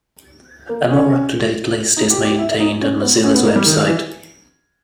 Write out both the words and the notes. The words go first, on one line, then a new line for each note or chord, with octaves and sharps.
A more up-to-date list is maintained on Mozilla's web site.
A#3
C#4
D#4
G4
G4
E4
D#4
C#4
B3
C#4
B3
A#3
G3
D#3
E3